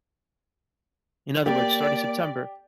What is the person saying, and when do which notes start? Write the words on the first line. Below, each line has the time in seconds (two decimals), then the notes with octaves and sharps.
in other words, starting September,
1.46 A#3 G4 D5